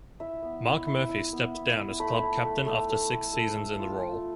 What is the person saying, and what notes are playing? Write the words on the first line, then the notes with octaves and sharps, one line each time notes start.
Marc Murphy stepped down as club captain after six seasons in the role.
E4 E5
B3
E4
E4
E4
B3
B3
E4
A3 B5
E4
A3
A3
A3
A3
A3
A3
F4
A3